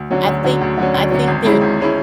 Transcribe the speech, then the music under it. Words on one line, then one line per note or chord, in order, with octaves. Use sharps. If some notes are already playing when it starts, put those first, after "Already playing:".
I think I think they're
Already playing: D2
D3 F#3 C#4
D2
D3 F#3 C#4
D2
D3 F#3 C#4
D2
D3 F#3 C#4
G#1
G#2 G#3 C#4 E4
G#1
G#3 C#4 E4